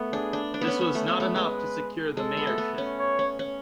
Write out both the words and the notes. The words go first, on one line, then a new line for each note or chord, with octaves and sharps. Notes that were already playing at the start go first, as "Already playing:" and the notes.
This was not enough to secure the mayorship.
Already playing: A3 B3
D4 G#4
D4
D4 B4
B3
C#4
B3
A3
B3
A3
G#3 B4
G#3 A4
B3
A3
B3
C#4
C#5
C#4
C#4